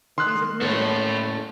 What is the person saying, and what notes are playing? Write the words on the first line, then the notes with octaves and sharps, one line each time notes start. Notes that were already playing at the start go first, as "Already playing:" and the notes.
He's admitted it.
D#3 C6 F#6
A2 A3 A#3 C#4 A4 C#5